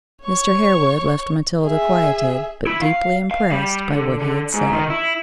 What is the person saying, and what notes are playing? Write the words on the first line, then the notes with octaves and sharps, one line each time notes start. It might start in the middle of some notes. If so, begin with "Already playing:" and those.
Mr. Harewood left Matilda quieted, but deeply impressed by what he had said.
C#5 C#6
G#4 E5
E4
F5
F5
G3
D3
D3
G#2
D#3
E4